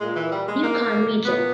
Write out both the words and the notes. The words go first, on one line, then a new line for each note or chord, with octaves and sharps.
Yukon region.
A#2 G#3
E3
G3
G#3
A#3
A#2 B3